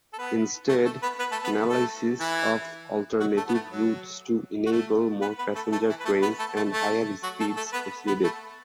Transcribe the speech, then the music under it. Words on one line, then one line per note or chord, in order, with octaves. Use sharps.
Instead, analysis of alternative routes to enable more passenger trains and higher speeds proceeded.
A4
B3 B4
A3 A4
A3 A4
B3 B4
B3 B4
A3 A4
B3 B4
A3 A4
E3 E4
F#3 F#4
A3 A4
B3
A3
F#3
F#4
A3 A4
B3 B4
B3 B4
A3 A4
A3 A4
E3 E4
B4
A3 A4
B3 B4
A3 A4
A3 A4
A3 A4
F#3 F#4
A3 A4
A3 A4
B3 B4
B3 B4
A3 A4